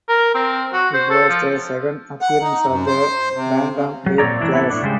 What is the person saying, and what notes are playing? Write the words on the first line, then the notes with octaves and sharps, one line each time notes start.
It was the second appearance of the bantamweight class.
A#4
C4
F#4
C5
A4
F3
F#5
D#4
F#2
C5
C3
C#3
F#3
A#2 C4 A4 C#5 D5 A#5
A2 E3 D4 E4
B3 E4 A4
A2 D4
C#3 G3 G#3 C5